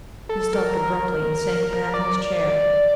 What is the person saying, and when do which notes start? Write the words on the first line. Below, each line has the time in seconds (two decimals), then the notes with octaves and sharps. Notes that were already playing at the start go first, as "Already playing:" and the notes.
He stopped abruptly, and sank back in his chair.
0.29 A4
0.53 A#4
1.94 D5